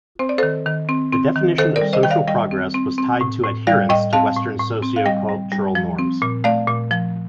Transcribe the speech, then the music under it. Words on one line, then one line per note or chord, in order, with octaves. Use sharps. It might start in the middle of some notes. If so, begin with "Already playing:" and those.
The definition of social progress was tied to adherence to Western socio-cultural norms.
C4 C5
D5
D#3 A4 C5
D#3
C4
C4
D#3
D#3 A4 C5
A#4 D5
G3
C5 D#5
D#3 G5
D5 F5
G3 D#5 G5
C4
C4
C4
A2
A2
G3 D5 F5
A2 D#5 G5
C4 F5 A5
A2
A2
C4
F5
G3 D#5 G5
G3
G3
F3
C4
A#2
A3 D5 F5
A#2
F3